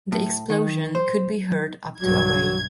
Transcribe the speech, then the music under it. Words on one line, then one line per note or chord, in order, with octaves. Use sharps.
The explosion could be heard up to away.
A2
D#3
C5
B1 G2 F#3 G#6